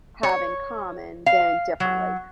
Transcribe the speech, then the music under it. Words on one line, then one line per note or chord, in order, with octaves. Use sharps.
have in common than differently.
C#5
F5
F#3